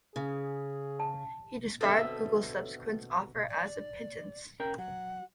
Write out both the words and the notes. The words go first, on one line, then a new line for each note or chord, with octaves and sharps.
He described Google's subsequent offer as a "pittance".
C#3 G#4
A5
B2 D3 C4 A4 E5
D5
C#4 A#4 G5
F#3 F#5